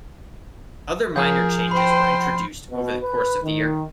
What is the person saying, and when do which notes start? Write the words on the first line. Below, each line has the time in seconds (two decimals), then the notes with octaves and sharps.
Other minor changes were introduced over the course of the year.
1.16 F3 G#4 A#4 C#5 F5 F6 G6
1.71 C5 G5 B5 C6
2.70 B2
3.02 B4
3.43 D#3